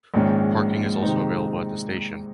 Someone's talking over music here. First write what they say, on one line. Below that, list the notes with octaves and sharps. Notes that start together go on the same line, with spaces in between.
Parking is also available at the station.
A#1 G#2 D#3 G#3 C#4
C3 D#3 G#3 C4 D#4